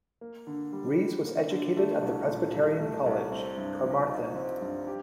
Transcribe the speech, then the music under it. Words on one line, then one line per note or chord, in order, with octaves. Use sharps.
Rees was educated at the Presbyterian College, Carmarthen.
A#3
D3
G3
D3
A#3
D3
A3
C2
A#2
C2
A3
C2
C4
G2
F3
D#4
C4
G2
G4